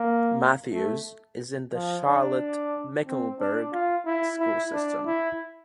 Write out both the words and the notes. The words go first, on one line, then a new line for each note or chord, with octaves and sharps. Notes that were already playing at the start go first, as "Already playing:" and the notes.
Matthews is in the Charlotte-Mecklenburg School system.
Already playing: A#3
A3
F3
D4
C4
D4
F4
E4
E4
D4
E4